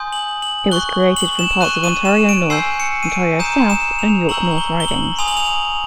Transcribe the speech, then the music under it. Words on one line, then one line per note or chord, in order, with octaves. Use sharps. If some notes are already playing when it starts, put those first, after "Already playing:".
It was created from parts of Ontario North, Ontario South and York North ridings.
Already playing: G#5 C6 D#6 G6
F#7
F#7
C#6 F#6 G7
F#7
E7
C#6 F#6 D#7
D#7
E7
D7
G#5 C6 E6 G6 C7
C#7
D#7
D7
A#5 D#6 G6 E7
E7
F7
A#5 C#6 E6 G6 F#7
F#7
G7
G7
F#7
G#5 C6 D#6 F7
F#7
F7